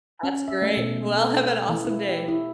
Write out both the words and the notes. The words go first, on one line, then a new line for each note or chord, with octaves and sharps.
That's great. Well, have an awesome day.
C#4
E5
A3
B2
A4
F5
E3
E4
G4
E4